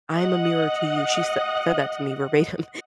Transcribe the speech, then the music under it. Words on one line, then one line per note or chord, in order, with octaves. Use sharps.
I'm a mirror to you." She said said that to me verbatim.
D#5 F#5